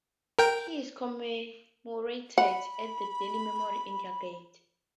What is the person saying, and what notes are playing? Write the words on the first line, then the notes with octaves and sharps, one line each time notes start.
He is commemorated at the Delhi memorial India Gate.
A#4 G5
F#5 B5